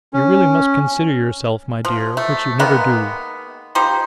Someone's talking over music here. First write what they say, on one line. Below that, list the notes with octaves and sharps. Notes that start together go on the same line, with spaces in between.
'You really must consider yourself, my dear, which you never do.
C#4
F3
A3
D#3 G#3 A#3 B3
F3 G3 D#4 C5